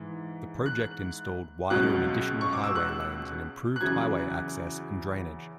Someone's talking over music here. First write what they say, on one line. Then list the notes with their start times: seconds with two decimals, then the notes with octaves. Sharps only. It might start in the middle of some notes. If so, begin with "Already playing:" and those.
The project installed wider and additional highway lanes, and improved highway access and drainage.
Already playing: G#2 E3
0.66 F#6
1.70 C#2 B2 F#3 F#6
2.41 C#6
2.53 D6
2.64 E6
2.75 F#6
3.76 F#6
3.81 E2 C#3 F#3 G#6